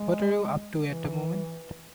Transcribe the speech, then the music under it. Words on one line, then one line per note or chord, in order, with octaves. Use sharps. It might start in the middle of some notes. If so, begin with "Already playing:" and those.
What are you up to at the moment?
Already playing: G#3
E3